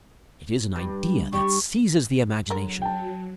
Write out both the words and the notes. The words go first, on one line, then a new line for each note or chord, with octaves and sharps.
It is an idea that seizes the imagination.
G2
G3 G4 C#6
D3 F#3 G#3 A#4
G5 A5